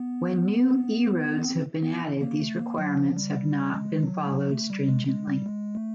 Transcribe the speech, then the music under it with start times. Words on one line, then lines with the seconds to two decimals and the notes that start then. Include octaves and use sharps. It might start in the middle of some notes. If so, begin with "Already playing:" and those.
When new E-roads have been added these requirements have not been followed stringently.
Already playing: B3
1.44 C4
1.83 B3
2.21 A#3
2.40 A3
2.59 A#3
2.78 F#3
2.97 F3
3.17 G3
3.74 G#3
4.03 F#3
4.27 G3
4.31 F#3
4.51 A3
4.70 G3
4.89 G#3
5.08 G#3
5.28 G3
5.46 G#3
5.75 A3